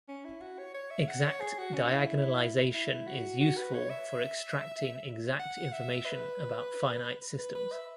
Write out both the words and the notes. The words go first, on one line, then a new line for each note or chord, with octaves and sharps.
Exact diagonalization is useful for extracting exact information about finite systems.
C#4
E4
F#4
C#5
C#5
E5
F#5
C#5
G#4
F#4
C#4
E4
E4
F#4
F#4
B4
C#5
E5
F#5
E5
B4
B4
B4
E5